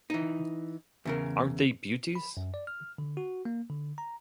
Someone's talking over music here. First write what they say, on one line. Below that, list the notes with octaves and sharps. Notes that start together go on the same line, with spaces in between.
Aren't they beauties?
E3 D#4
E2 C#3 A#4
B5
F#2
D5
F6
D3
F#4
A#3
D3
A#5